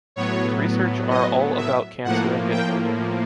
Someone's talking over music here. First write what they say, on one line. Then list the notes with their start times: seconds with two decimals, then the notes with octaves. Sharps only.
His research are all about cancer and getting older.
0.16 A2 F#3 B3 C#5
1.10 D#5
1.57 E5
2.04 A2 F3 A#3 F#5
2.52 G5